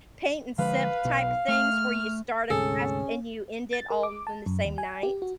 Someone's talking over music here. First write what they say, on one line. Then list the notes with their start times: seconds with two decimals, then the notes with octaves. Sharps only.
paint and sip-type things where you start a class and you end it all in the same night,
0.58 D3 F3 G#3 B4 F5
1.05 B1 B2
1.48 A3 F6
2.50 D2 G#2 C3 C#4 G#4 A4
3.73 A6
3.90 A#4
4.03 D6
4.27 A5
4.46 F#2
4.65 D#2
4.78 G#5
5.03 G4
5.22 F#4